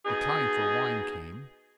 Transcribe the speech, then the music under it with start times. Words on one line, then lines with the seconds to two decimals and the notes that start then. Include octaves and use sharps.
The time for wine came.
0.05 B2 D#4 G#4